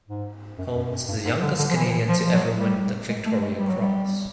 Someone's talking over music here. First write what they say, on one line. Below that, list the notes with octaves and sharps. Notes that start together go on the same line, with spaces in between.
Holmes is the youngest Canadian to ever win the Victoria Cross.
G#2
F#2
F#2
F#2
G2
G#2
D3
D3
F3
E3
F3
E3
F3
F3
F#3
G3
G#3
A3
G#3
G3
F#3
G3